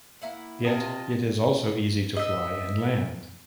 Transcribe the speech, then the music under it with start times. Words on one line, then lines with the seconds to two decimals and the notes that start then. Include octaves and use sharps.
Yet it is also easy to fly and land.
0.22 A#3 E4 F#5
0.65 C3 F4 D#5 A5 D#6
2.16 D#5 E5